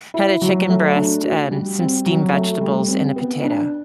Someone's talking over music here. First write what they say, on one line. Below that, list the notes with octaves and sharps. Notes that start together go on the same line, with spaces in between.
had a chicken breast and some steamed vegetables and a potato.
E4
F#3
A3
D4
F#4
G3
C4
F#3
A3
G3
C4
B3
D4